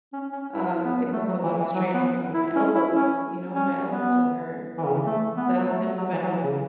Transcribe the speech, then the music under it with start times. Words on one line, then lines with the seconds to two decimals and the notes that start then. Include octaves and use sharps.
um, it puts a lot of strain on on my elbows, you know? And my elbows will hurt. So that there's a benefit
0.13 C#4
0.33 C#4
0.54 E4
0.84 B3
1.13 A3
1.28 F#3
1.43 E3
1.60 E3
1.75 F#3
1.94 B3
2.34 E4
2.55 C#4
2.75 E4
2.95 C#4
3.55 C#4
3.86 B3
4.77 E3
4.85 C#3
4.94 E3
5.06 A3
5.37 B3
5.56 F#3
5.68 A3
5.98 F#3
6.12 E3
6.23 F#3
6.28 E3
6.43 C#3